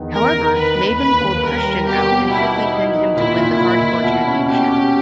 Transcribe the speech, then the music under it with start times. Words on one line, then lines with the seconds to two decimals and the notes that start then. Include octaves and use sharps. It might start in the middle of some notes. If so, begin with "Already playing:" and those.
However, Maven pulled Christian out and quickly pinned him to win the Hardcore Championship.
Already playing: E2 D#3 B3
0.13 E2 A#4
0.35 E2
0.56 D#3 B4
0.78 D#2
0.99 A#3 B4
1.21 D#2
1.43 G3 A#4
1.64 G3
1.86 B2 G4
2.09 B3
2.30 B2 E4
2.51 D#4
2.73 D#4
2.95 D#4
3.16 A#2 E4
3.38 A#2
3.60 A#2
3.81 A#2
4.02 B2
4.25 C#4
4.45 B2 G4
4.68 C#4